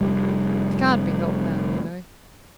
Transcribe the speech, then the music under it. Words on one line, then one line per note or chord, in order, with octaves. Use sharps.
It can't be helped now, you know.
F1 G3